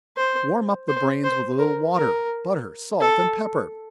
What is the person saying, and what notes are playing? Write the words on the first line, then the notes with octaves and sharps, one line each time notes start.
Warm up the brains with a little water, butter, salt, and pepper.
C5
C5
C5
A#4
A#4
A4